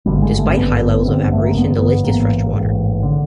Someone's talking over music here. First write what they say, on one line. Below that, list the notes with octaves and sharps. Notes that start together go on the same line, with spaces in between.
Despite high levels of evaporation, the lake is fresh water.
G#1 G2 D3 G3
G#3
A3
C4
G#1 G2 D3 B3
A1 G2 D3 C4
A3
A#3
A1 G2 D3 B3
B3
A1 G#2 A#3
A1 G#2
D3